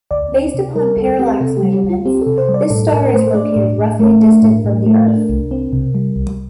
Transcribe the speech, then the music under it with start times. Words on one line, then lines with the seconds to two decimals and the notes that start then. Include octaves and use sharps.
Based upon parallax measurements, this star is located roughly distant from the Earth.
0.11 D2 D5
0.32 C4
0.54 C3
0.75 G3 A#4
0.97 D2 A4
1.19 C4 G4
1.41 C3 A4
1.57 G4
1.63 G3
1.73 G4
1.84 D2
1.90 F4
2.05 C4 G4
2.21 C3 A4
2.38 C5
2.49 G3
2.54 D5
2.70 A2 A4
2.92 A2 A#4
3.06 A#4
3.13 A3 C5
3.35 D4 D5
3.56 A2
3.78 A2
4.00 A3 A#4
4.21 D4
4.43 A2
4.65 A2
4.86 A3
5.08 D4
5.29 C2
5.51 C4
5.73 C3
5.95 G3
6.16 C2